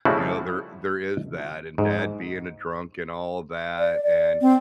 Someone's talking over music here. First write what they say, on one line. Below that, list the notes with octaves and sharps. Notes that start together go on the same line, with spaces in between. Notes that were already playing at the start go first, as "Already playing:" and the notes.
you know? There there is that and dad being a drunk and all of that, and
C#3 F3 G3 A3 E4 F#4
G#2
D5
D5
C4